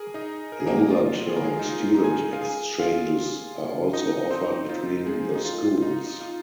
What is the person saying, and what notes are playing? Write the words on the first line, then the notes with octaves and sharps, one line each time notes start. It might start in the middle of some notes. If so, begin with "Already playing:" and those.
Longer-term student exchanges are also offered between the schools.
Already playing: G#4 A#4 G#5
D#4 D#5
A#4
G#4
A#3 A#4
F4
G#4
A#4
G#3 G#4
D#4
F4
A#5
G#4 G#5
F5
G#4 G#5
F4 F5
D#4 D#5
C4 C5
F4
G#3 G#4
D#4
F4
D#4
F4